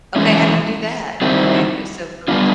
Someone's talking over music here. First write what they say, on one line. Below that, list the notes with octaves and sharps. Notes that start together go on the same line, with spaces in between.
Okay. How do you do that? You mute eh, so from a t
E3 G#3 C#4 E4
D#3 G3 C4 E4
G3 B3 D4 F4